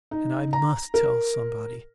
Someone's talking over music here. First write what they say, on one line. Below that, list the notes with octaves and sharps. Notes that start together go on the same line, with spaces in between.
And I MUST tell somebody!
D#4
A#5
A#4